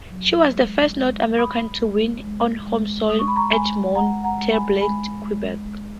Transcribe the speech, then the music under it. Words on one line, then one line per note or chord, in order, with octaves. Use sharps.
She was the first North American to win on home soil at Mont-Tremblant, Quebec.
F#3
G#3
G#3
G#3 B5 D#6
G#3
G#3
G#3
G#3 D#6
C#6
B5
A#5 C#6
G#3 G#5 B5
G#3 F#5 A#5
F#5 A#5
G#3
G#5 B5
G#3 G#5 B5
G#3
G#3